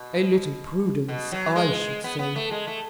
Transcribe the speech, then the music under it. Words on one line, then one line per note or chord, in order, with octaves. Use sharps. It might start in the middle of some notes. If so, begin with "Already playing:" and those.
"A little prudence I should say."
Already playing: B2
B2
F#3
G#3
B3
B3
A3
G#3
A3